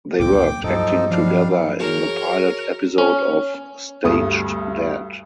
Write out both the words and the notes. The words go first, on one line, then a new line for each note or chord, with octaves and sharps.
They worked acting together in the pilot episode of "Staged Dad".
C#2 F#2 A#2 G5 D6
G2 F3 F#3 D#4 A4 D#5
F3 G3 D4 F5
F#4 G#4 A#4 C#5
C#4
D2 G2 A4 D#6